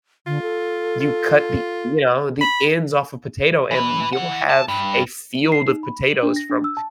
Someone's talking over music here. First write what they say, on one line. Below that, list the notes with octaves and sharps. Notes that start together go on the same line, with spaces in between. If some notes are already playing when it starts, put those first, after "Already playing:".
You cut the you know, the ends off a potato, and you'll have a field of potatoes from
D3 F4
A4
F4
B5
E3 B4
E4 F#5
A5
G2
C7
D#4
B5
F#7
D4
A#6
D4
E6
A5